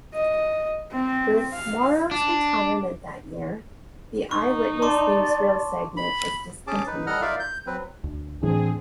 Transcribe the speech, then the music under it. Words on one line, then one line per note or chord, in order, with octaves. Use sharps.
With Marrou's retirement that year, the "Eyewitness Newsreel" segment was discontinued.
D#5
C4
F5
D4
D#4 C#6
D5 A5 C6 D6
B5
C#4 G#4 A5 D6
D#4 B4
G3 A4 D#5 F#5 A#5 F6
D#4 F4 A#4 D5 E5 F5
G6
F#3 C4 B4
D2
A2 E3 C4 D4 G#4